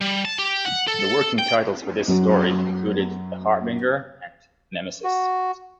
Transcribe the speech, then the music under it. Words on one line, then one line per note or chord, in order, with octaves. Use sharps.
The working titles for this story included "The Harbinger" and "Nemesis".
G3
A5
G4
F#5
A4
G5
F#2 F#3
F#4